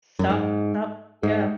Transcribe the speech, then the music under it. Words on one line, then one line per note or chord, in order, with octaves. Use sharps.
Stop stop yeah.
F#2
G#2
G#2